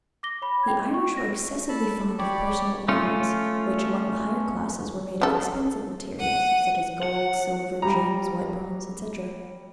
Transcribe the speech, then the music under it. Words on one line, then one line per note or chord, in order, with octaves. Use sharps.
The Irish were excessively fond of personal ornaments, which among the higher classes were made of expensive materials, such as gold, silver, gems, white bronze, etc.
D6 A#6 G7
C#5 B5
G5 G#6
C#6
A#6
A4 A5 B5
G4 C#5 D5 B5
A3 C#4 F4
C#3 A4
F#5 D#7
F#5
G3 A#5